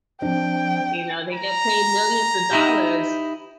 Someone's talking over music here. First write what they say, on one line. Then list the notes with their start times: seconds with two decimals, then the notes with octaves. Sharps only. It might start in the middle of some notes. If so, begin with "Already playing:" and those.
you know, they get paid millions of dollars
0.22 F3 C4 D4 G5
1.34 A#5
2.51 D#4 E4 G4